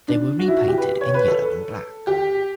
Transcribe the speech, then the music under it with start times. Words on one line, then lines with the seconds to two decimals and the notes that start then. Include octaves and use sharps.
They were repainted in yellow and black.
0.08 D4
0.39 F#4
0.48 E4
0.58 F#4
0.68 G4
0.78 B4
1.01 C#5
1.14 B4
1.28 A4
2.07 G4